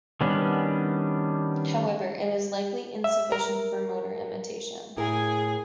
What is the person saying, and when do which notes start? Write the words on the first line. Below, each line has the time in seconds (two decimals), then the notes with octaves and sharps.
However, it is likely insufficient for motor imitation.
0.21 D#3 G3 B3 C#4 D4
3.04 E5
3.32 A#4
4.97 A2 E4 G#4 A#4 G#5